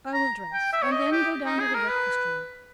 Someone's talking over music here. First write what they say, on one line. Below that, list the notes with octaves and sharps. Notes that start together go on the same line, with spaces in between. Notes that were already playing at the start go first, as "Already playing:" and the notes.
I will dress, and then go down to the breakfast-room.
A#5
G5
E5
C#5
D#5
G4
D#4
G#4
A#4
B4